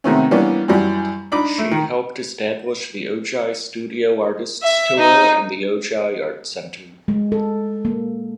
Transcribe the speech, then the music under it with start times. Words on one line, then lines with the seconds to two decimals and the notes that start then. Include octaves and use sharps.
She helped establish the Ojai Studio Artists Tour and the Ojai Art Center.
0.04 C3 D#3 F3 A3 B3 C#4
0.31 E3 G3 A#3 B3 C#4 D4
0.68 F#2 E3 F#3 G3
1.32 D4 D#4 B5 D6
1.58 A3
1.71 D#3
4.62 E5
4.98 D#4
7.08 G#3
7.32 A4
7.85 A#3